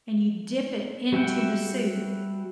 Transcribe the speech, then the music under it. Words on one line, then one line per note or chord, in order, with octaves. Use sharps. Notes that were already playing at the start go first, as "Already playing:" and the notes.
and you dip it into the soup
G3 F#4 E5 F#5 G5